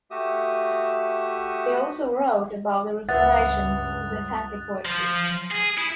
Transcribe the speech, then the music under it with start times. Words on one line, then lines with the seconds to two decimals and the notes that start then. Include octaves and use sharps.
They also wrote about the reformation of tanka poetry.
0.11 A3 F#4 G4 E5 D#6
3.09 C#2 G2 B4 E5 F#5 D#6 F#6 A6
4.85 F3
5.51 G#4
5.78 E4